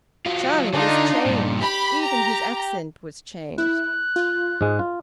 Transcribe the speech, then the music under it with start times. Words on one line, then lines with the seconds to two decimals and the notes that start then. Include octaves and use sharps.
Charlie was changed; even his accent was changed.
0.26 F#3 F4
0.73 D3 D4 D#4 F4
1.27 G2 A#2
1.62 G4 B5
2.04 A#5
3.58 E4 F#6
4.16 F4
4.61 G#2 G#3
4.79 F4